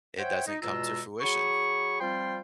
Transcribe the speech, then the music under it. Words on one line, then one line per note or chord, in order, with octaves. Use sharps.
it doesn't come to fruition.
C5 C#5 E5 F#5 G5
D#4
E2 B2 G#3 F4 A#5 E6
F#3 G#4 B5 C#6
F3 G3 C4 F4 G5 C6